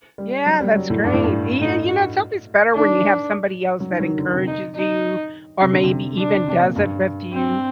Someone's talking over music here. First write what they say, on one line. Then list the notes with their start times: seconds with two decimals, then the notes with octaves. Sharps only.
Yeah, that's great. Y yeah, you know, it's always better when you have somebody else that encourages you or maybe even does it with you.
0.18 G3
0.46 F#3
0.61 G3
0.76 F#3
0.90 A2
1.04 G2 D4
1.13 A2
1.23 G2
1.60 A2 D#4
1.89 F#4
2.75 D#3 D4
3.80 F#3
3.90 D#3
4.00 F#3
4.04 D#3
4.18 D3
4.33 C3
4.47 D#4
4.76 D#4
5.62 C3
5.73 D3
5.83 C3
6.18 C3 D4
6.34 D3
6.48 C3
6.62 A#2
6.76 G2
7.33 C4